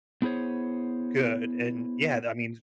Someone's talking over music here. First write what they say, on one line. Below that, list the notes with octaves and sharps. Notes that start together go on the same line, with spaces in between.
good, and, yeah, that means
B3 E4 G#4 C5 C#5